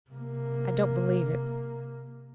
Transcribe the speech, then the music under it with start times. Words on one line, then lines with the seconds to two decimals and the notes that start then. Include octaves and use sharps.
"I don't believe it!"
0.10 C3 A#3